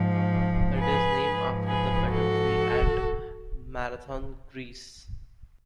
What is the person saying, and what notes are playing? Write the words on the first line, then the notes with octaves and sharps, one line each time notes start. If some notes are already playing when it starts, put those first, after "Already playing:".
It is named after the battlefield at Marathon, Greece.
Already playing: G#2 F3
G#4 B4
G#2 F3
G#4 B4
F#4 A4